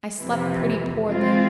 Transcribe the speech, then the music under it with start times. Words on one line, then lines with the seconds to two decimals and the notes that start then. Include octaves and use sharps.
I slept pretty poorly.
0.20 F2 C3 E3
1.06 E3 G#3 C4 F4